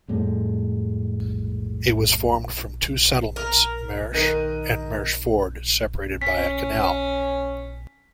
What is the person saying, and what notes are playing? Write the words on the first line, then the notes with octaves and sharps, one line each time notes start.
It was formed from two settlements, "Merche" and "Mercheford", separated by a canal.
F2 A2 G3 G#3
A#4
D#3 A#4 D#5 F#6 D#7
C#4 B6